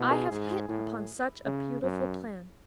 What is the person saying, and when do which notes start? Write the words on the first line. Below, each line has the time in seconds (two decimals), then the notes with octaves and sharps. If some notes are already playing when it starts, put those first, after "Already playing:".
'I have hit upon such a beautiful plan.
Already playing: B2 E4 F#4
0.11 G#4
0.31 G#2
0.68 A2 E4
1.45 C#3 C#4
1.83 F#2